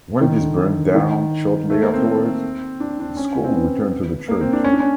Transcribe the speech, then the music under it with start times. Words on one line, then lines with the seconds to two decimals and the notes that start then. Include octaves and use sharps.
When this burnt down shortly afterwards, the school returned to the church.
0.21 D#3
0.40 D3
0.95 D#3
1.70 A3
1.82 A#3
1.94 C4
2.80 D4
3.00 D4
3.17 C#4
3.34 C#4
3.44 C4
3.53 B3
4.28 A#3
4.41 C4
4.53 D4
4.64 C#4
4.73 D4
4.80 C#4